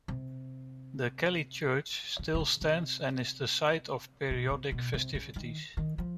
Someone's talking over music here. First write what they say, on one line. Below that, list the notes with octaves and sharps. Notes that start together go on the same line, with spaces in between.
The Kelly Church still stands and is the site of periodic festivities.
C3
C#3
C3
C#3
C3
B2
C3
B2
C3
C#3
D#3
D#3
F3